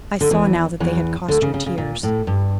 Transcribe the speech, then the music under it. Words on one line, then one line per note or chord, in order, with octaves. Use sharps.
I saw now that they had cost her tears.
D3
E2 E3
E2 E3
D2 D3
C#3
C#3
C#3
A#2
A2
G2